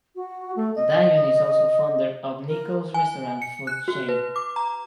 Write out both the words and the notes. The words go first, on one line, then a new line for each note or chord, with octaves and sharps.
Dion is also founder of Nickels Restaurant food chain.
F#4
A3
D#5
A#4
G#5
C#7
F#6
F#4
B4
D6
A#5